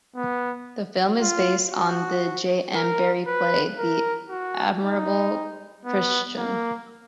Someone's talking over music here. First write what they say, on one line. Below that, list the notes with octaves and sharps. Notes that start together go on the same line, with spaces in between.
The film is based on the J. M. Barrie play "The Admirable Crichton".
B3
F4
F#4
A#4
B4
A#4
F#4
D#4
B3
A#3